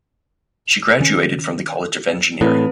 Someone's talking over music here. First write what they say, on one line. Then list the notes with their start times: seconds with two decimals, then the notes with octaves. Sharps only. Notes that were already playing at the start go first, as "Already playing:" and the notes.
She graduated from the College of Engineering.
1.00 D#3 C#4
2.41 A2 E3 C4 E4 B4